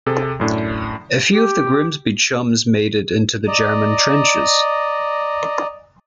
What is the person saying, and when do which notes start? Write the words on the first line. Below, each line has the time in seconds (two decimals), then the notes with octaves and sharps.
A few of the Grimsby Chums made it into the German trenches.
0.06 C3 G#4 A4
0.40 F#2 A2 D4
1.31 G4
3.47 D5 D#5 A#5